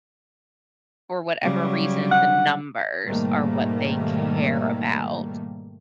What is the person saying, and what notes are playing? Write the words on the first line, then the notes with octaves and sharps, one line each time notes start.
For whatever reason, the numbers are what they care about.
C#3 F#3 G3
F#5
G#2 B2 D#3 G3 A3 A#3